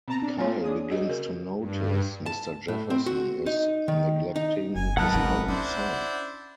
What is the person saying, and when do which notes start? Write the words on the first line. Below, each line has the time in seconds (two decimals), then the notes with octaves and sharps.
Kyle begins to notice Mr. Jefferson is neglecting his own son.
0.08 B2 C4 A5 A#5
0.22 D4
0.38 A#3 F4 C#5
0.64 D4 G#4 D#6
0.90 F#4 D#5
1.10 C#3 A#4
1.59 G2
2.26 A5
2.68 A2
2.90 C4
3.06 F#4
3.46 D#4
3.88 D#3
4.36 D#4
4.75 F#1 G#5
4.97 D#2 F#3 A#4 B4 D#5 F#5 A5 F#6
5.12 G#1 C#4
5.48 C#4 D4 E4 C5